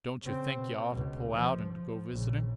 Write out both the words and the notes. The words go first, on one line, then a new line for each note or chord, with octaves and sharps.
"Don't yuh think yuh ought to pull out and go visiting?"
C#3 C4
B2
C#2 B2
F3
F3
A#1 C#3